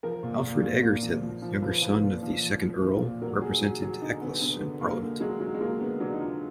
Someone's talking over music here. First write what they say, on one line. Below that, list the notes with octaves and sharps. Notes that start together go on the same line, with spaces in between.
Alfred Egerton, younger son of the second Earl, represented Eccles in Parliament.
F3 A#4
A#2
A#2
A#2
A#2
F3
F3
F3
F3 B4
F3 B4
A#2
F3
F3
F3
F3
A#2
F#3 A#4
F#3 G#4
F#3
F#3
D3 D#4
D3 B3
D3 B3
D3
D3 A#3
D3
F#3 G#3
F#3
G#3
F#3 A#3
D3 B3
F#3 D4
D#4
D3 F4